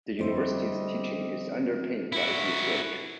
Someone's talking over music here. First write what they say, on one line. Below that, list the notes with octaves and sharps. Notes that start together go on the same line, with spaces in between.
The university's teaching is underpinned by its research.
F2 D3 G3 C5 D#5 E5
E4 F#4